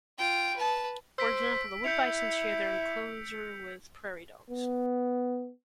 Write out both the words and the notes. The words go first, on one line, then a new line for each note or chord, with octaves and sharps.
For example, the wood bisons share their enclosure with prairie dogs.
F4 G5
B4 A5
C5 E6 B6 D7
E4 G6 C#7 F7
B3